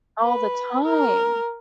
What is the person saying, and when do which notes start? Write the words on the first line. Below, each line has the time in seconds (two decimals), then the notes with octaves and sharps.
All the time.
0.22 B4
0.84 A#4